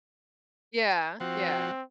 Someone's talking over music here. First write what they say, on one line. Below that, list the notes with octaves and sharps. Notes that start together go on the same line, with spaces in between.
Yeah, yeah.
F3 C4 F#4